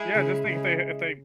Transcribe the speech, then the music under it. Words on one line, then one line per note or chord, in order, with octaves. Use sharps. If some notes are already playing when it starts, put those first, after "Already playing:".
Yeah, just think if they ha if they
Already playing: G#3 E4 G#4
C#3
C#3